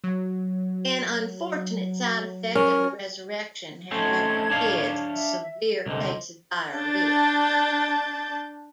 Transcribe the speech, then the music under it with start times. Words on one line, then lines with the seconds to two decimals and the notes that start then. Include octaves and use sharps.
An unfortunate side-effect of the resurrection, however, is a severe case of diarrhea.
0.04 F#3
2.55 C#4 A#4
3.91 A3 C4 C#4 D#4 A5 G#6
4.50 D4 C#5 F5
5.08 E5
5.86 C2 D3 C5 D#5
6.74 D4 G6 A6